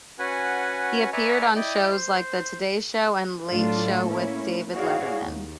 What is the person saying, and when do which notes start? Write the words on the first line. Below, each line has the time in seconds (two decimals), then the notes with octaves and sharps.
He appeared on shows like "The Today Show" and "Late Show with David Letterman".
0.19 C#4 F#4 B4 F#5 G#5
1.13 B4 D5 E5 G#5 A#5 C#6
1.55 E4 D5 D#5 G5
1.91 C5
3.48 A2 F#3 A3 D4 F4 A4
4.06 A3 A#3 C#4 E4
4.71 E4 F#4 G#4 C#5 D5 F5
5.24 D#2